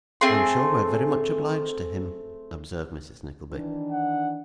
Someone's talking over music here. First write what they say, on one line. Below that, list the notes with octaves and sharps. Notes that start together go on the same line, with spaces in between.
'I am sure we are very much obliged to him,' observed Mrs Nickleby.
A3 C4 G#4 C6
D#3 E3 D4
F#5